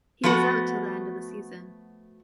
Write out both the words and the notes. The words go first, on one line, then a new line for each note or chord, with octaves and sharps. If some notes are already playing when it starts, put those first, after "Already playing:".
He is out till the end of the season.
F3 A3 B3 F#4